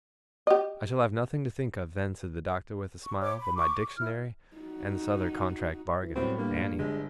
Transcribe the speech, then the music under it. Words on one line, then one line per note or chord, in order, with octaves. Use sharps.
'I shall have nothing to think of then,' said the Doctor, with a smile, 'but my Dictionary; and this other contract-bargain--Annie.'
G4 D#5
C#6
C#5 D6
B5
C#6 D6
E4 F6
D#4 F#4
E3
A2 F#3 G3 B3 C4
G2 A#3
G1 G#3